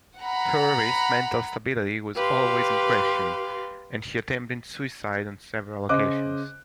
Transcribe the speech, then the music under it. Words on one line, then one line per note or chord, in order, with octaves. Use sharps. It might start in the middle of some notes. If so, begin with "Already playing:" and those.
Purvis' mental stability was always in question, and he attempted suicide on several occasions.
F#5 A#5 B5
G4 B4 F5 C6
C#3 C5 D#5 D6 F#6